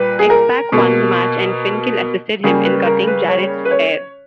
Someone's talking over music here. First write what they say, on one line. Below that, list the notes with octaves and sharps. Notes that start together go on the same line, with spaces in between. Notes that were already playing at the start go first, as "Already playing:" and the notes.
X-Pac won the match and Finkel assisted him in cutting Jarrett's hair.
Already playing: A#2 G3 B4
G#4
A#4
B2 A#3
C#3 G3 A#3 G#4
B4
A#4
B4
C#5
B4
C#5